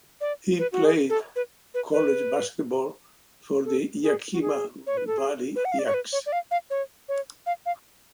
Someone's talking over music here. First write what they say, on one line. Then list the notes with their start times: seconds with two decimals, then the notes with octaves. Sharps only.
He played college basketball for the Yakima Valley Yaks.
0.21 D5
0.59 B4
0.72 F#4
0.85 G#4
1.09 A4
1.36 B4
1.74 B4
1.92 B4
3.65 A4
4.03 G#4
4.33 F#4
4.41 G#4
4.87 C#5
4.97 B4
5.07 A4
5.18 G#4
5.56 B4
5.65 F#5
5.72 F5
5.79 D5
5.86 C#5
5.94 B4
6.12 C#5
6.26 D5
6.32 F5
6.51 F5
6.70 C#5
7.09 C#5
7.46 F5
7.66 F5